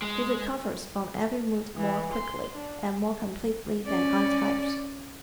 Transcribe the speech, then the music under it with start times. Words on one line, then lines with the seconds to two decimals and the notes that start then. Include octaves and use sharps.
He recovers from every mood more quickly and more completely than other types.
0.02 G#3
1.76 E3
2.12 C6
2.53 D4
3.86 C#4 D5